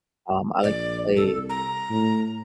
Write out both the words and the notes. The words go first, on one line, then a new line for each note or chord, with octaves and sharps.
um, I like to play,
A#1 D5
C2 A4
A#5
A2